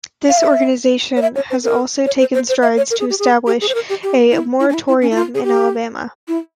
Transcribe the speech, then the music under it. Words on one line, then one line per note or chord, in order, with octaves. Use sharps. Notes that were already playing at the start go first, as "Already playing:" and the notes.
This organization has also taken strides to establish a moratorium in Alabama.
F5
E5
C#5
E5
C#5
C5
A#4
C#5
C5
C5
C5
E5
C#5
A#4
G#4
G4
G#4
G4
G#4
C5
A#4
G4
G4
E4
E4
C#4
E4
E4
C#4
E4
F4
G#4
G4
E4